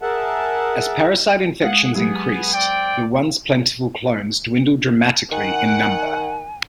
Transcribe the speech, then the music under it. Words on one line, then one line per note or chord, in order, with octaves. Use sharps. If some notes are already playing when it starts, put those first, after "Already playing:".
As parasite infections increased, the once plentiful clones dwindled dramatically in number.
G#4 A#4 E5 F#5 A5
G#3 G#4 F5 F#5
F#3 G#3 B3 G4 G#4
C4 D5 G5
D#3 F#5 G#5